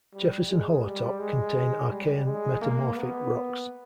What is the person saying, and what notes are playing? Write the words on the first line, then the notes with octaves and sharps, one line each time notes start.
Jefferson-Hollowtop contain Archean metamorphic rocks.
G3
G#3
G3
G#3
G3
G#3
A#3
B3